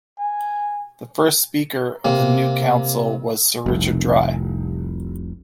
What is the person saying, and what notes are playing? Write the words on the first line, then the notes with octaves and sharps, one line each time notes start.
The first Speaker of the new Council was Sir Richard Dry.
G#5
C3 A#3
F1 C2